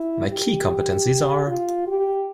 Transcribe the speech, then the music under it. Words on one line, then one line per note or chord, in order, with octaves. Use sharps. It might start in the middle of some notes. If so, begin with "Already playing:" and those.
My key competencies are...
Already playing: E4
G4
F4
G4